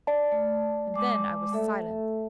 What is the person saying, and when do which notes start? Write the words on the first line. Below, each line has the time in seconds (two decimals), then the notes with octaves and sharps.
And then I was silent.
0.07 D5 A5
0.32 A3
0.94 G#3 D6
1.53 A3 A4 E5